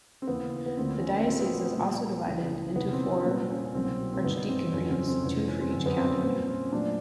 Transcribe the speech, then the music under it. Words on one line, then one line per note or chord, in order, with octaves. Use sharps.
The diocese is also divided into four archdeaconries, two for each county.
C4
D#2 C#3 E3 B3
B3
D2 D3 F3 A#3 C4
C#4
A2 F3 G#3 B3 C4
B3
B3
A#2 G3 A#3
C#2 C#3 E3
E2 C3 D#3 B3
C4
B3
C#4
A#2 G3 A#3 C4
C#4
C#4
C2 B2 F#3 A#3 C4
C4
G2 D#3 G#3 B3
C4
F2 C#3 F#3 C#4
C4
C4
F2 C3 E3 G#3 B3 C#4
C#4
C4
F#2 D3 F#3 C4
B3
C4
C#4
A#2 G3 A#3 C4
C#4
A#2 F#3 A3 D4